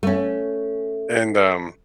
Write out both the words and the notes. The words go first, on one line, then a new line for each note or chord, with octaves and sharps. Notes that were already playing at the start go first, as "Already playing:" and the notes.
and, um,
A3 C#4